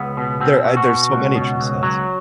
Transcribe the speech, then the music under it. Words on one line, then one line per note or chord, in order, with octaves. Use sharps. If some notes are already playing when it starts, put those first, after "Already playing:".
there uh, there's so many true selves.
Already playing: C#2 B3
B2
B2 C4
B2
F#4
B2
C#2
B2
C#2
F#3